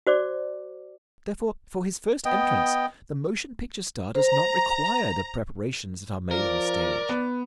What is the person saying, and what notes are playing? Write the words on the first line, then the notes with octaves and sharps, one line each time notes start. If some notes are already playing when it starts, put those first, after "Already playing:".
Therefore, for his first entrance the motion picture star does not require the preparations that are made on the stage.
F#4 C5 D5 D6
B3 D#5 G5
C5 A#5
F3 A#4 D5
B3